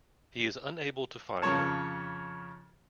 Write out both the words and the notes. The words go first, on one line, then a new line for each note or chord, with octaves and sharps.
He is unable to find her.
F2 C#3 F3 A#4 C#5 A5